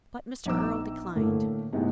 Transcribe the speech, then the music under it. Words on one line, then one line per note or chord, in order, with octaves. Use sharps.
But Mr. Erle declined.
A#1 B3 D#4 A#5 D6 E6
A2 D3 A3 A#3
A2 C3 G#3 A3 B3 D#4